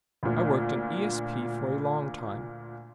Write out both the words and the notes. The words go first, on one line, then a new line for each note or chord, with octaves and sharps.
I worked in ESP for a long time.
D2 A#2